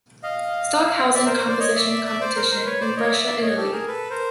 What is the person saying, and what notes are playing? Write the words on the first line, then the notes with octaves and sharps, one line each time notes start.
Stockhausen Composition Competition in Brescia, Italy.
D#5 F5
D5 E5
A#4 C5
A#4 C5
C5 D5
C#5 D#5
D5 E5
D5 E5
D5 E5
C5 D5
A#4 C5
A#4 C5
B4 C#5
C5 D5
C#5 D#5
D5 E5
D5 E5
C#5 D#5
G4 A4
G#4 A#4
A4 B4
A#4 C5